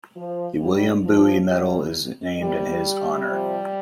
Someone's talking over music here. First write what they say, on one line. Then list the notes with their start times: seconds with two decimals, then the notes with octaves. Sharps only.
The William Bowie Medal is named in his honor.
0.16 F3
0.61 A#2 F3 G3
1.06 F3
1.49 A2 F3 G3
2.39 C3 D#3 G3
3.28 C3 F3